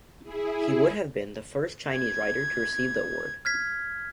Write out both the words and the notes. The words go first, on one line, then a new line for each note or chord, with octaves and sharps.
He would have been the first Chinese writer to receive the award.
E4 G#4
G#6
F6 G#6 B6